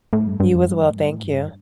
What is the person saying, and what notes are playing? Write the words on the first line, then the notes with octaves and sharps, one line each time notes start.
You as well, thank you.
A2
G2
G2
F2
G2
F2
A2
G2
A2
G2